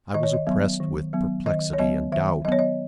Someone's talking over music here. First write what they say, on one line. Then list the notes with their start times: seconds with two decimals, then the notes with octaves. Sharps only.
I was oppressed with perplexity and doubt.
0.14 D#3 D#5
0.23 C#5
0.33 D#5
0.47 F#3 B3
0.80 D#3
1.13 F#3 B3
1.46 D#3 D#5
1.73 C#5
1.79 F#3 B3 D#5
2.12 D#3 E5
2.45 F#3 D#5
2.48 B3 C#5
2.59 D#5